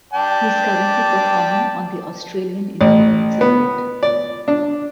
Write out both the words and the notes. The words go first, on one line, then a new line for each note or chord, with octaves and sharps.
He is currently performing on the Australian independent circuit.
D5 G5 A5
A1
B3
D5
D4